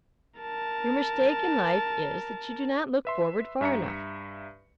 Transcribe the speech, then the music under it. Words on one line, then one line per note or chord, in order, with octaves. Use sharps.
Your mistake in life is, that you do not look forward far enough.
A#4 A5
B4 E5 C6
G2 E5 A#5 C#7